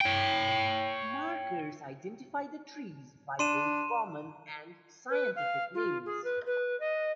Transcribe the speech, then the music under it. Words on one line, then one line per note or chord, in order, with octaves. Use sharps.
Markers identify the trees by both common and scientific names.
C#5 G5
D4 C6 D#7 E7
B4
F5
F4
G#4
B4
B4
D#5